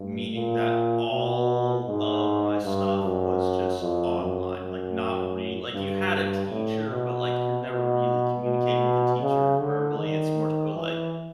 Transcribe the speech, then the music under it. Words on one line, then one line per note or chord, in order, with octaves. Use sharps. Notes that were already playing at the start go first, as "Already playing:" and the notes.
meaning that all of my stuff was just online. Like, not re like, you had a teacher, but, like, you're never really communicating with the teacher verbally, it's more so, like,
Already playing: G2
A#2
B2
G#2
G2
F#2
F2
F#2
F#2
G2
A2
B2
B2
B2
C#3
D3
D#3
E3